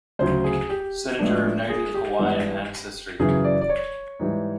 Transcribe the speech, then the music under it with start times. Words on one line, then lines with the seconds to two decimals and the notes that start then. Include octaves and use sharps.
Senator of Native Hawaiian ancestry.
0.19 D2 C#3 F#3 C5
0.44 G#4
0.69 G4
1.19 A2 F3 G#3 B3 D4
1.69 G#4
1.94 G4
2.19 G2 E3 G#3 B3 D4
3.19 F#2 C#3 E3 G#4
3.44 D5
3.61 D5
3.69 C#5
4.20 G#2 E3 G3